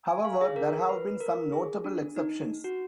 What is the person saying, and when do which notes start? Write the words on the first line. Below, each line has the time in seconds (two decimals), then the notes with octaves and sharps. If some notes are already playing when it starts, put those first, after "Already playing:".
However, there have been some notable exceptions.
0.09 G#5
0.24 F5
0.41 G#4
0.56 A#4
0.89 B4
1.20 A#4
1.52 G#4
1.84 D4
2.16 D#4
2.64 F#4